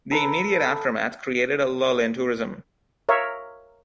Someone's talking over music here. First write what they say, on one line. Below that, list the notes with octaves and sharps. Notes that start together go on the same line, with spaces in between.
The immediate aftermath created a lull in tourism.
A4 B4 A#5 B5
A#4 C#5 E5 F5